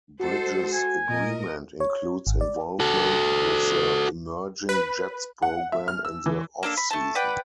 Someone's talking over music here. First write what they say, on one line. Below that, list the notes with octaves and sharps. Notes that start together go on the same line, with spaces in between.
Bridges' agreement includes involvement with the Emerging Jets program in the off-season.
G#3 F#4 A4 C5
G#5
A#2 A#4 D#5
C#5
G#1
D5
F#4 A4
B4
F#5
E5
F6
E6
E3
A#3 D4 A4
B5
A3 A5
B4 D5 F#5 G5